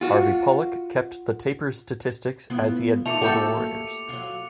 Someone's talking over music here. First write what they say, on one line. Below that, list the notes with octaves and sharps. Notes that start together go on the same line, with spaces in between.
Harvey Pollack kept the Tapers' statistics as he had for the Warriors.
F4 F#4
B3 E4 F4
E3 A3 D#4 F4 D6 C#7 F7
A3 A#3 F#4 G4 A4
F#3 F4